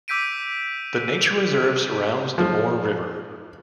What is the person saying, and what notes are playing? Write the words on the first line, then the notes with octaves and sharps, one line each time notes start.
The nature reserve surrounds the Moore River.
D6 E6 G6 B6 D7 D#7
F3